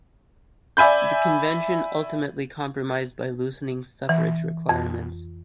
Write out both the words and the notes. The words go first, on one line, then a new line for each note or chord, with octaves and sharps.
The convention ultimately compromised by loosening suffrage requirements.
D5 E5 G#5 B5 G6
E3
F2